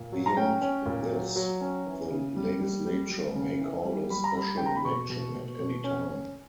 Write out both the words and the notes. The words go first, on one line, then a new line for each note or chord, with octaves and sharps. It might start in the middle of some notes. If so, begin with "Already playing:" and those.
Beyond this, the legislature may call a special election at any time.
Already playing: A#2
F#3
A#5
C#4 G5
C#4
A#2
F#3
F#3
C#4
E3
C#3
G3
G3
G3
G3
C#3
E3
G3
G3 B5
A#5
G3 B5
C#3 G5
A#5
B5
B2 C#6
B2
B2
B2
C#4
C#4